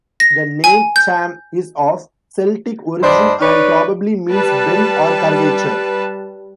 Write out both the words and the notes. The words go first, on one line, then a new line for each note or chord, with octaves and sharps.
The name "Cham" is of Celtic origin and probably means "bend" or "curvature".
A#6
G#5
G6
G2 D4 C5 D#5 B5
D#4 B4 C#5 D5
G3 B4 A5